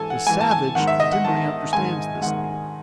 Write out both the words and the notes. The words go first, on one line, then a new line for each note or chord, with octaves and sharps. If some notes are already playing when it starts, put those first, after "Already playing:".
The savage dimly understands this need.
Already playing: G#2 E3 A4 G#5
F#5
G#2 E3 G#5
A5
G#5
G#2 D#3 F#5
E5
D#5
F#5
G#2 D#3 A5
G#2 D#3 G#5
G#2 D#3 F#5